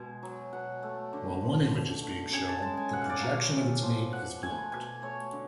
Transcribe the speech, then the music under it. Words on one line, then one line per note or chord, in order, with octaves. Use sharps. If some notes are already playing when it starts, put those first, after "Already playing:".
While one image is being shown, the projection of its mate is blocked.
Already playing: B2 G#3 G#5
F#3
B2 F#5
A3
D3
F3
B2
A3
C#3 G#5
A5
G#3 A5
G#5
B2 F#5
F5
D5
F#3 F5
A2
F3
B2 F#5
A3 G#5
B2 G#5
A3 C#5
D3